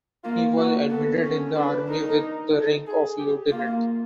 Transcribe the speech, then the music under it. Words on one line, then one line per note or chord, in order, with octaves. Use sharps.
He was admitted in the Army with the rank of lieutenant.
A#3 F4
A#3 F#4
B3 A4
C#4
D4 B4
D#4 A#4
A4
G#4
G4
A#3 F4